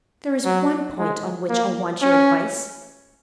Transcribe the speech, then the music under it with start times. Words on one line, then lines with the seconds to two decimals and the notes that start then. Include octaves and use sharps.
There is one point on which I want your advice.
0.45 F#3
0.98 G#3
1.49 A#3
2.02 C#4